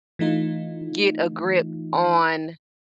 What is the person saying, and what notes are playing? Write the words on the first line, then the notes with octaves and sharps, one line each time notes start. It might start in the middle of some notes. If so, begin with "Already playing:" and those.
get a grip on
E3 A3 D#4 F4